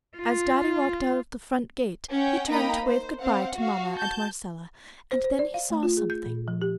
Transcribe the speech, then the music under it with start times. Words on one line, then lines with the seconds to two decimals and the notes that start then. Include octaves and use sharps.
As Daddy walked out of the front gate, he turned to wave good-bye to Mama and Marcella and then he saw something.
0.17 F4
2.10 C#4 F#5 G5
2.49 A#3 D#4 G5 A#5 B5 D#6
2.83 C5
3.21 C4 F5 F#5
3.55 F#4 F5
3.98 A5 G6
5.12 C5
5.24 C5
5.39 D5
5.54 F5
5.70 A3
5.83 F4
5.97 G#4
6.10 G6
6.26 A#2
6.48 F3
6.62 G4